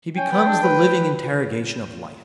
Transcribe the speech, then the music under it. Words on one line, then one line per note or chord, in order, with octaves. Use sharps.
He becomes the living interrogation of life.
C#4 G5
B3
D4
B4